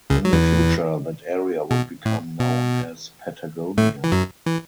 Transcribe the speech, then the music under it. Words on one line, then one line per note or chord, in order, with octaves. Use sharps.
In the future that area would become known as Patagonia.
C#2 C#3
F#3
E2 E3
B2
A2
B2
A2 A3
E3
F#2 F#3
E3